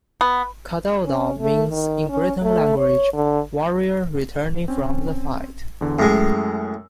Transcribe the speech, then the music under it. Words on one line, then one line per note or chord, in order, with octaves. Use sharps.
Cadoudal means in Breton language "warrior returning from the fight".
B3
C#4
A3
D#3
C#4
A3
C#5
D3
C4 C#4
E2 D3
F#2 A2 G#3 E6